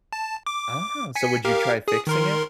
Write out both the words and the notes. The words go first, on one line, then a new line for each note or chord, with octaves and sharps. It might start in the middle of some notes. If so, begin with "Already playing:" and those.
Oh, so would you try fixing it?
A5
D6
G#5 B6 C#7
G4 A#4 F5
G#4 D#6
D#3 A#4 C6